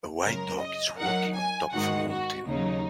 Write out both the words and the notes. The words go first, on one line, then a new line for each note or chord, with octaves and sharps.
A white dog is walking on top of a mountain.
F#2 C#3 G#3 A#4
D#5
F#3 D#4 A#4 F#5
G#5
G#2 D#3 G#3 D#4 F#4 F#5
F#4
D#2 C#3 F#3 D#4